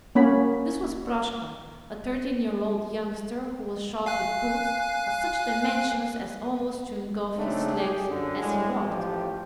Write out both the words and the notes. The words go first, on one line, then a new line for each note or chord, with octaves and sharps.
This was Proshka--a thirteen-year-old youngster who was shod with boots of such dimensions as almost to engulf his legs as he walked.
A#3 C#4 B5
F5 G#5 F#6
C#3 A3 C4 D4 D#4
G4 G#4
F#2 D3
A2 G3 G#3
A1 F3 A3 G4